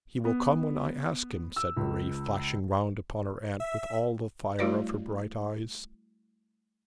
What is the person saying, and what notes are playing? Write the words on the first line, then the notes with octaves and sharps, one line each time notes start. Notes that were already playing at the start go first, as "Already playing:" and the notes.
'He will come when I ask him,' said Marie, flashing round upon her aunt with all the fire of her bright eyes.
B3
E6
C#2
E5
G3 A3 E4 F#4 C#5 D5